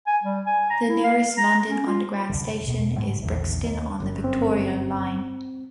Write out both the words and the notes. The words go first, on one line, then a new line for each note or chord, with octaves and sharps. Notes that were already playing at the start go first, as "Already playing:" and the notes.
The nearest London Underground station is Brixton on the Victoria line.
G#5
G3
G#5
A#5
E4
F5
A#5
C#4
F4
C2 F#2 D3
E1 B2 A#3 B3
G#2 C#3 F#3 G#3
A#1 E2 D3 D#3
D#2
G1 F#2
C4